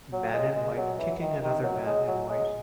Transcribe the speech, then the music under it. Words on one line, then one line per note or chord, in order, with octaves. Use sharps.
Man in white kicking another man in white.
F#3
G#3
G#3
F#3
E3
D#3
D#3
F#3
G#3
F#3
G#3